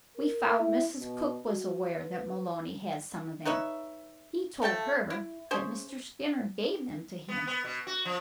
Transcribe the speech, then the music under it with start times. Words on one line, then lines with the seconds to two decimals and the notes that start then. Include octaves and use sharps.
We found Mrs. Cook was aware that Maloney had some of them--he told her that Mr. Skinner gave them to him.
0.17 A#4
0.60 E4
1.00 B2
1.47 F#4
1.98 B4
3.45 D#4 B4 C#5 E5
4.62 F3 A3 G5 A5
5.10 E4
5.51 C#4 G#4 C5
7.28 B3
7.47 B3
7.65 B2
7.87 F#4
8.05 F3